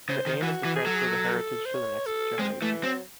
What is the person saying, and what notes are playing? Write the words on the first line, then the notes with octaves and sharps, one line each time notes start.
The aim is to transfer the heritage to the next generations.
C#3 C5
D#3
E3 F#4
E3
G#4
F#3 A4
G#4
A4
C5
C#5
A4
G#3 C4
E3 A3
F#3 C4